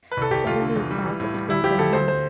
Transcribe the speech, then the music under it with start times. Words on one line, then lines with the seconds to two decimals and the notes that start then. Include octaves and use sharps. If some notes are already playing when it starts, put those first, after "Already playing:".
Suddenly his past explodes on him.
0.12 B4
0.17 C2 A4
0.31 C2 G4
0.47 C2 F4
0.61 D3
0.76 E2
0.91 G3
1.05 E3
1.20 A2
1.34 G3
1.49 D2 E4
1.64 F3 G4
1.79 D2 A4
1.93 D2 C5
2.08 C5